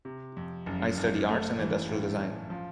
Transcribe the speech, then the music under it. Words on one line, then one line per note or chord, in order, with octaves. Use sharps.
I study arts and industrial design.
C3
F2
F#1
F#1
A3
E3
A2
C#4
F3